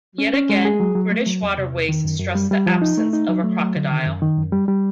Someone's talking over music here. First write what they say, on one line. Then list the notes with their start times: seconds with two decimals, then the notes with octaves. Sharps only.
Yet again, British Waterways stressed the absence of a crocodile.
0.18 C#4
0.34 C#4
0.49 G#3
0.65 G#4
0.80 F#3
0.95 F#3
1.11 A3
1.27 F#3
1.42 E2
1.58 C3
1.73 E2
1.89 D#3
2.04 F#2
2.20 F#2
2.35 G3
2.51 G3
2.66 F3
2.82 D#4
2.97 A3
3.13 D#4
3.28 F#3
3.44 A3
3.60 F#3
3.76 D3
3.91 D#3
4.06 F#2
4.22 D#3
4.37 F#2
4.52 G3
4.68 G3